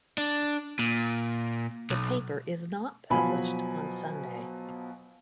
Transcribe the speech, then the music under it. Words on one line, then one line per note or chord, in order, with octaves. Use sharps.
The paper is not published on Sunday.
D4
A#2
B1
B2 F3 F#3 G#5 B5